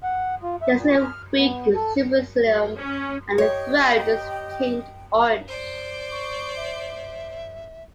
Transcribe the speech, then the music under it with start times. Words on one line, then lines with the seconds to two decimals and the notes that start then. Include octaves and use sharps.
There is a weak supercilium, and the throat is tinged orange.
0.03 F#5
0.43 F4
0.62 E5
0.76 A#2
0.97 F6
1.38 B3
1.75 A4
2.79 C#4
3.38 G4 C#5 D#5 G5
5.48 C5 D5
6.11 C#6
6.56 E5